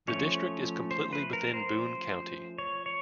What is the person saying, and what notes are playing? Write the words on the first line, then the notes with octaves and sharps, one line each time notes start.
The district is completely within in Boone County.
F3 A3 C#4 C#5
C5
B4
A#4
C5
C#5
C#5